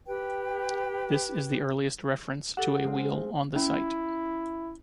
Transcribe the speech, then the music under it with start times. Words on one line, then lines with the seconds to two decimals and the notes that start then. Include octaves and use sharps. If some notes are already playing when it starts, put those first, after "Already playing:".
This is the earliest reference to a wheel on the site.
0.07 G4 B4 G5
2.57 G4 A4 F#5 A6
2.84 G#3 C4 F4
3.56 C#4 E4